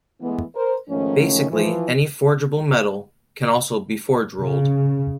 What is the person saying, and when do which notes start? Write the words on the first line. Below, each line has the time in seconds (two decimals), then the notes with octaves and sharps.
Basically any forgeable metal can also be forge-rolled.
0.21 E3 G#3 A3 B3
0.55 A#4 C5
0.89 G#2 D#3 F3 A3 C#4
1.50 E3 F3
4.40 C#3